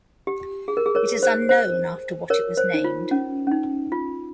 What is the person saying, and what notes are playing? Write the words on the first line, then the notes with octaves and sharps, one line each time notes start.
It is unknown after what it was named.
G4
G#4
A#4
G#4
A#4 C#5
C5
C5
A#4 C#5
C5
D#4
F4
C#4
C#4
D#4
F4